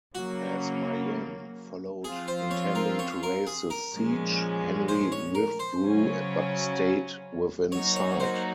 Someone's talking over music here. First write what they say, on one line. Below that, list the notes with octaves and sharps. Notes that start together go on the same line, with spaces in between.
As Mayenne followed intending to raise the siege, Henry withdrew but stayed within sight.
C#3 F#3 A#3 F#4
F3 C4 F4 G#4
C5
C#5
A#4
C#5
A#4
G#4
A#4
A#2 F3 G#3 C#4
C5
C#5
A#4
C5
C#3 F#3 C#4
F#3 A#3 D#4 F#4 C#5
C#5
C5